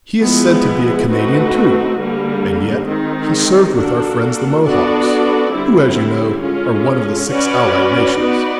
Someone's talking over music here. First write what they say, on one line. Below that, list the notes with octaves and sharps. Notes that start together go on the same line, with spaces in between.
He is said to be a Canadian too; and yet he served with our friends the Mohawks, who, as you know, are one of the six allied nations.
F3 G#3 B3 E4 G#4
A3 C4 D#4 F#4 B4
D3 G3 A#3
D#3 G#3 C4 D#4
A#3 D4 F#4 A4
B3 D4 F#4 A4 D5
D3 G3 C4 E4
G#3 C#4 F4 A4
C#4 F#4 B4 D5
B3 D#4 F#4 B4 D5